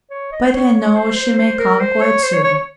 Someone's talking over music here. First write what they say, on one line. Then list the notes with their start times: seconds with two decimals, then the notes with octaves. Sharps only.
But I know she may come quite soon.
0.10 C#5
0.32 D#5
0.44 C5
0.53 C#5
0.74 C#5
0.96 C5
1.16 C5
1.38 C5
1.59 A#4
1.80 C5
2.01 C#5
2.23 C5
2.33 C#5
2.44 C#5
2.54 C#5